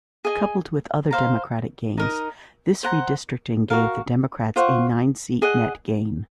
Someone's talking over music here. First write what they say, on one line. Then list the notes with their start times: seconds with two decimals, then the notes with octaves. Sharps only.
Coupled with other Democratic gains, this redistricting gave the Democrats a nine-seat net gain.
0.25 G#4 D#5 G#5
1.11 C5 F5 A#5
1.98 D#4 A#4 D#5
2.83 C5 F#5 A#5
3.70 F#4 A#4 F5
4.56 F4 C5 F#5 C#6
5.42 G#4 D#5 F#5